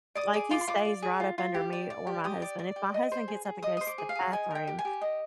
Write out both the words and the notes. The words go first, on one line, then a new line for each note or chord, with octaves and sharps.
Like, he stays right up under me or my husband, if my husband gets up and goes to the bathroom,
D5 D#6
G#4 D6
F4 D6
C6
F4 D6
D5
G#4
F4
F4
G4
D5
D5
G4
G4 D#6
D5
D5
G4
D#5
C5
G#4
G#4
D#5 D#6
C5 D#6
D6
G#4
F5
G#4
D#5 G#5
A#4 G5
G4
G#5
G4
D#5